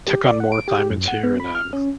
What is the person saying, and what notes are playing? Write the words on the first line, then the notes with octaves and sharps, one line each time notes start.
took on more assignments here and, um,
G4
D5
F#5
D7
G4
F#2
F#5
B3
B5
F6
C#4